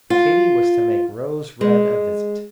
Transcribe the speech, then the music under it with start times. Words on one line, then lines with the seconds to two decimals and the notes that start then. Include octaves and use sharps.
Katy was to make Rose Red a visit.
0.10 F4
1.61 G#3